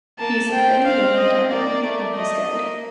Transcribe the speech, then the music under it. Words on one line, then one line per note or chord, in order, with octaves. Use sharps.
He’s a pretty little darling when he’s good.
A#3 A5
C4 G5
C4 F5
D#5
A#3 D5
A3
A3 D#5
A#3